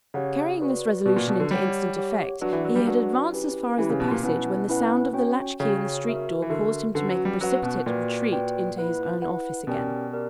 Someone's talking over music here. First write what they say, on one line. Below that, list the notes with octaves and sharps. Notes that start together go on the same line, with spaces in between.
Carrying this resolution into instant effect, he had advanced as far as the passage, when the sound of the latch-key in the street door caused him to make a precipitate retreat into his own office again.
C#3 G4 C#5 F#5
F#4 B4 D5
B2 F#4 B4 D5
A#2
B2
D3
G3 G4 C#5 F#5
G4 C#5 F#5
F#3 D4 F#4 B4 D5 F#5
E3
F#3
G3
F#3 D4 F#4 B4 D5 F#5
C#4 E4 G4 B4
E3 C#4 E4 G4 B4
C#3
B2
A#2
B2 C#4 E4 B4 F#5
C#4 E4 B4 F#5
C#4 F#4 C#5 G5
C#3 C#4 F#4 C#5 G5
F#4 A#4 E5
E3
D3 F#4 A#4 E5
D3 C#4 F#4 B4 F#5
F#3
G3
F#3 C#4 F#4 B4 F#5
B2
A#2 F#4 B4 D5 G5
F#4 B4 D5 G5
E4 B4 F#5
E4 B4 F#5
B2 C#4 G4 A#4 D5 G5
C#4 G4 A#4 D5